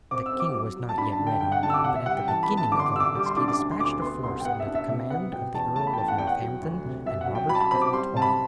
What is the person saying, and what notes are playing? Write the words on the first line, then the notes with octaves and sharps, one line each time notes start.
The king was not yet ready, but at the beginning of August he despatched a force under the command of the Earl of Northampton and Robert of Artois.
C4 D6
E6
C4
D6
F#3 D6
F#3
A5
D4 B5
A5
D3
G5
G2 G5
F#5
D3 A5
E6
D6
C3 F#5
E5
G3 F#5
G5
E3 A5
B5
B3
A5
D3 D6
C6
D6
D4 E6
D6
G3 D6
C6
D4 D6
D6
D2
C6
D2 D6
B3 C6
C2 C6
G5
B3 F#5
E5
D4
E5
C3 E5
B3 F#5
B2 G5
E2 A5
A3 A5
B5
G5
E3 A5
F#5
E2 G5
F#5
F#3
D2
C3
B2 E5
F#5
F#3
G5
F#3 B5
A5
B5
C4 B5
D6
G3 C6
C3 A5
B5